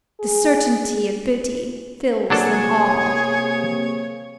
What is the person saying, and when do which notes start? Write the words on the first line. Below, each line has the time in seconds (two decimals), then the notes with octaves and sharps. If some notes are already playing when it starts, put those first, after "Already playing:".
The certainty of booty fills them all.
0.20 G#4
2.30 C3 F#3 A#3 D4 G#4 A4 C#5